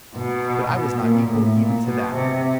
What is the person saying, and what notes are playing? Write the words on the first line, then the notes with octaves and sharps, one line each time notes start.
But I was not equal even to that.
B2
B2
A#2
A2
A#2
B2
C3